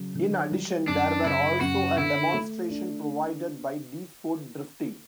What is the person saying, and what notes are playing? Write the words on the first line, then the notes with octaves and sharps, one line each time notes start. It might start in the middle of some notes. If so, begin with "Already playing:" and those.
In addition, there were also a demonstration provided by D-Sport Drifting.
Already playing: C#3 F#3
D3
G3
F#2 D4
C#3 E4
F#2 F#4
D3 E4
A3
D4